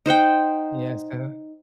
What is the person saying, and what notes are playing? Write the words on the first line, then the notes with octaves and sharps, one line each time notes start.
Yeah, so
D#4 C5 F#5 G5